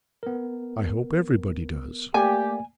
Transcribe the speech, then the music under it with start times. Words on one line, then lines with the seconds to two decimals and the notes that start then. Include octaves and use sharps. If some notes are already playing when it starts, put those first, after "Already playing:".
'I hope everybody does.'
0.23 B3 A#4
2.14 A3 A#3 G4 D5 G#5